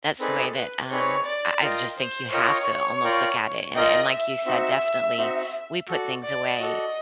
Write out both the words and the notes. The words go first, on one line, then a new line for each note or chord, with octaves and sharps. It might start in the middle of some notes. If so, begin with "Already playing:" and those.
That's the way that, um, I I just think you have to almost look at it and and like you said, definitely, we put things away.
C4 D#4 G#4 A4 B4 D5
B4
C4 D#4 G#4 B4 C#5 D5
D5
F4 A#4 D#5 G5
C5
F4 A#4 C#5 D#5 G5
F4 A#4 D5 G5
F4 A#4 D5 D#5 G5
E5
C4 D#4 F#4
C4 D#4 F#4
F#4 A4 D5
D5
F#4 A4 D5 D#5